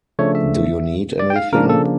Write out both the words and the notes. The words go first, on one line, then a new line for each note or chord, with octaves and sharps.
Do you need anything?
C#3 F3 A3 D4 C#5
E5
D5
G5
F5
C#3 F3 A#3 D4 A#4
A4